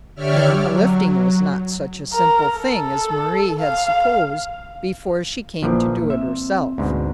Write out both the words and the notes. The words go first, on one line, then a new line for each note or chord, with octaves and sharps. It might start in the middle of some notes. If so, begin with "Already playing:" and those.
Then the lifting was not such a simple thing as Mari had supposed before she came to do it herself.
D3 G4 C#5 D5 E5 F6
F#3
A#4
A4
F5
A#1 E3 F3 A#3
C4 E5
D2 G#2 B2